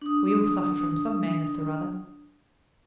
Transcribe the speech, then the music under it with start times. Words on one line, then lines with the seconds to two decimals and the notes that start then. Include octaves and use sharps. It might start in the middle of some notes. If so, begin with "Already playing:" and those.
We all suffer from some madness or other.'
0.02 D4 D#6